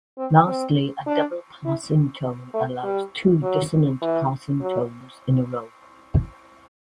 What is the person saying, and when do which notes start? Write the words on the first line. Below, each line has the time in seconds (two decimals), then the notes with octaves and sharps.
Lastly a double passing tone allows two dissonant passing tones in a row.
0.18 C4
0.48 C4
1.07 D4
1.65 E4
2.54 A3
2.83 G3
3.42 F#3
4.02 E3
4.61 F#3